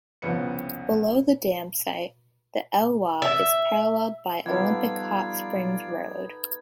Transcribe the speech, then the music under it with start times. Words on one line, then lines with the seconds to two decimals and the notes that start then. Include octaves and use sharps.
Below the dam site, the Elwha is paralleled by Olympic Hot Springs Road.
0.22 C2 F2 C#3 F3 B3 C#7
3.22 E5
4.46 F3 G3 B3 D#4 F4 A4 D5 G#6